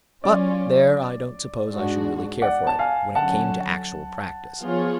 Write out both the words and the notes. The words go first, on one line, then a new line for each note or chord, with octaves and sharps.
But, there, I don't suppose I should really care for it when it came to actual practice.
F#3 C#4 F4 D5
G#2 G#3 D4 F#4
D5 F#5
A5
F5 G#5
D3 F#3 C#4 F#5 A5
F3 B3 F4 G#4 C#5